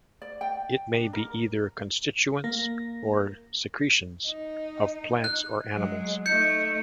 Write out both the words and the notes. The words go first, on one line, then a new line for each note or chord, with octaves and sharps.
It may be either constituents, or secretions, of plants or animals.
D5
G5
D4
A#4
A#3 A#4 A#6
D#4
F#6
F#3 G#3
A3 D#4 G6 C#7